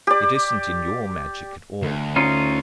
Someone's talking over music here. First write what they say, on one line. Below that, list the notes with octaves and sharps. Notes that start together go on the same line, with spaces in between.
It isn't in your magic at all.
G4 D5
D2
C#4 D#4 F4